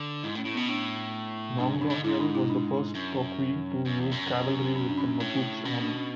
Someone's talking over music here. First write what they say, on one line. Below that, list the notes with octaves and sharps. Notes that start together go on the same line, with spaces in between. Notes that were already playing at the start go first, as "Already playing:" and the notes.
Nongoniel was the first Toqui to use cavalry with the Mapuche army.
Already playing: D3
G#2 E4
A2
C#4
A2
B3
B2
A2 D4
G#2 D4
F#2
D4
G#2
G#2 E4
D4
E4
D4
F#2
C#4
F#2
E2
F#2
C#4
D4
C#4
A2
B2 C#4
D4
C#4